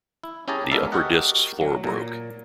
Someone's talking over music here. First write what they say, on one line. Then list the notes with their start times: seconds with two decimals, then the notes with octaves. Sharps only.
The upper disc's floor broke.
0.24 E4
0.48 C#4 E4 G4 G#4 A5 A#5
0.71 G#3 B3 A4 A#4 D5 E5
0.92 F#4 G4 A#4 D#5 F#5
1.61 F#3
1.84 A#2 A#5